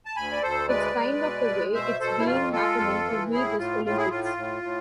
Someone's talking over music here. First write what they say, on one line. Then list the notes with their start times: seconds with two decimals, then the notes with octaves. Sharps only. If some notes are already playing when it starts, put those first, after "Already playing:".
It's kind of the way it's been happening to me this Olympics.
0.06 A5
0.16 D2 G#5 B5
0.32 D5
0.42 D2 A4 C5
0.69 G#3 B4 D5
0.96 G#3
1.22 B2
1.48 G#3
1.74 B2 C5 E5
2.00 B2 A4 C5
2.19 E4
2.26 F2 F4
2.53 G#3 F4 A4
2.79 F2
3.05 E3
3.31 A2 E4 G#4
3.58 A2 F4
3.85 A2 F4
3.97 E4 G#4
4.10 A2 F4
4.24 F4
4.37 A2
4.63 A2